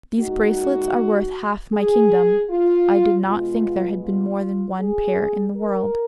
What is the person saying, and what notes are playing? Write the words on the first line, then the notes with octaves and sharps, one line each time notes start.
"These bracelets are worth half my kingdom; I did not think there had been more than one pair in the world."
A#2 G#3 D#4 F#4
G#4
F4
B2 G#3 B3 F4
F4
G#4
A#4